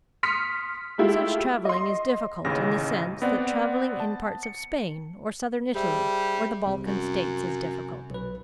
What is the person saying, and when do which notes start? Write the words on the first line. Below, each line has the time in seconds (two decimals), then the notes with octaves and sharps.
Such travelling is difficult in the sense that travelling in parts of Spain or southern Italy or the Balkan states is difficult.
0.23 C6 D#6 F6 B6 C#7
0.98 G#3 A3 E4 F4 G4
1.65 D#5 C6
2.45 A1 D#2 C#3 A#6
3.22 B3 C4 D5 F#5
4.00 A5
4.43 C#7
5.75 G3 G#4 C5 E5
6.66 C2 C3
6.84 F#2
8.10 B1 B4